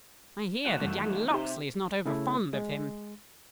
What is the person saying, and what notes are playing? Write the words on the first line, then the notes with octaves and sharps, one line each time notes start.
I hear that young Locksley is not over-fond of him.
D#3 A3 F#4
F#2 E3 G3
C3 D#4 G4
C#3 A3 E4
G#3